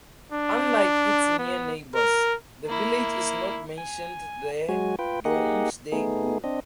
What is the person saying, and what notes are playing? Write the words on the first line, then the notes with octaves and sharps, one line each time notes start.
Unlike its near neighbours, the village is not mentioned the "Domesday Book".
D4
B3
A#4
A#3 E4
G#5
F#3 G#3 F#4 G#5
F4 B4 G5
A#3 D#4 G4 G#4 D#5 F#5
A3 B3 D#4 G#4
C4 D4 D#5